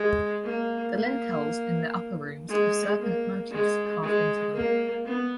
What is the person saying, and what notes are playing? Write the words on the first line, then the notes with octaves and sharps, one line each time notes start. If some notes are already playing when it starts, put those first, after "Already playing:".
The lintels in the upper rooms have serpent motifs carved into them.
Already playing: G#3
A#3
A#3
G#3
A#3
G#3
G#3
A#3
B3